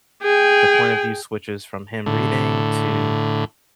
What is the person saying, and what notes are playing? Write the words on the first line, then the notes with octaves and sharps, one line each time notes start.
the point of view switches from him reading to
G#4 G5
A2 D3